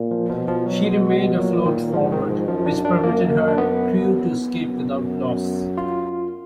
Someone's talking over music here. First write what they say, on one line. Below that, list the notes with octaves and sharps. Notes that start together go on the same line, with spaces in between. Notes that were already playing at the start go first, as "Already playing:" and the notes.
She remained afloat forward, which permitted her crew to escape without loss.
Already playing: A#2
F3
B2 F3
F3
F#3
G#3
A#2 F#3
D#3
G#2 F3
D#3
F3
F#2 F3
D4
D4
A#3
D4
B3
F#2
F4